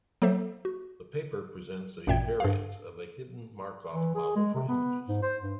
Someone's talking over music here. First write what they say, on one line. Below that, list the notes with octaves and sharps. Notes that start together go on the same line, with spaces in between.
The paper presents a variant of a hidden Markov model for images.
F#3 A#3 A4 C5 E5
F#4
A1 F#2 A#2 E5 G5 G#6
G2 F5
E3
G#4
G#3
C3
B3
G#2
C5
G2